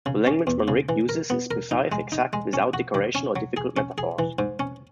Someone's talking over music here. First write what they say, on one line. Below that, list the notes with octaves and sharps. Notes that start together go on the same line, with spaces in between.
The language Manrique uses is precise, exact, without decoration or difficult metaphors.
C#3
C#4
E2
C#3
E3
A#4
B3
A#4
D#4
G#3
D#4
G#3
C#4
F#4
D#3
C#4
F#3
G#4
C#4
G#4
E3
G#2
C#4